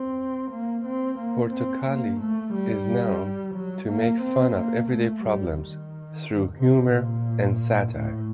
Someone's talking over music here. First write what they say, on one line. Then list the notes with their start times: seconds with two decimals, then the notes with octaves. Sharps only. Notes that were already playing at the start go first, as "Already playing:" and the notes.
Portokalli is known to make fun of everyday problems through humor and satire.
Already playing: C4
0.51 A#3
0.86 C4
1.19 A#3
1.52 C4
1.86 A#3
2.20 A3
2.54 G3
3.55 F#3
3.88 A#3
4.21 C4
4.55 A#3
4.89 A3
5.23 G3
5.57 D#3
6.57 C3
6.92 A#2
7.92 A2